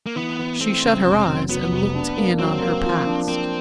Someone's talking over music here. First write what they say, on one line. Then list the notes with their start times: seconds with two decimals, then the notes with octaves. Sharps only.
She shut her eyes and looked in on her past.
0.06 A#3
0.16 E3 B3
0.39 E3
0.60 A3 C4
0.84 C#3
1.06 F1
1.28 F#3
1.50 F#3 B3
1.72 F1
1.94 D4
2.17 A#3
2.39 F#3 C4
2.61 A#3
2.84 F3
3.06 D4
3.28 A#3 C4